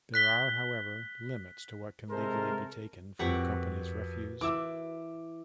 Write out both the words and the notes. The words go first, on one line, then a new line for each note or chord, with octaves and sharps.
There are, however, limits to what can legally be taken from a company's refuse.
F#6 B6 G7
C3 G#3 A4 A#4 C5
F2 F#4 G4 A#4 B4 F#5 C#6
E3 D6 E6